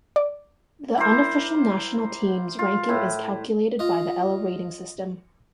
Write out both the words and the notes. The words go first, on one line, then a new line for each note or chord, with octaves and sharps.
The unofficial national teams ranking is calculated by the Elo rating system.
D5
E4 G4 A#4 C5
F4
A2 E4
F4 D#5